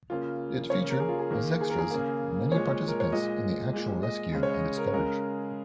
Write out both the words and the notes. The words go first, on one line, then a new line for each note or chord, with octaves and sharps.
It featured, as extras, many participants in the actual rescue and its coverage.
C#3 A#3 F4
C#3 A#3 C#5
A#4
G#4
F4
G#4
D#3 A#3
G#4
A#4
G#4
C#3 A#3
A#2 F3 G#3 C#5
A#4
C#5
A#2 G#3 D#5
A#2 G#3
D#5
C#3 G#3
C#5
D#5
A#4
C#5
C#3 G#3 A#4